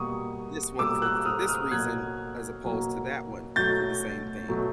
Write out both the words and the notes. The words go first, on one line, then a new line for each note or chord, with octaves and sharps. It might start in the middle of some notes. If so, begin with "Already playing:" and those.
th this one for for this reason, as opposed to that one for the same thing,
Already playing: B2 G3 A#3 C#6 D#6
B2 G3 A#3 D6 E6
E6 F#6
D#6 F6
D#6 F6
B2 F#3 A#3 F#6 G#6
B2 F#3 A#3
B2 F#3 A3 G6 A6
B2 F#3 A3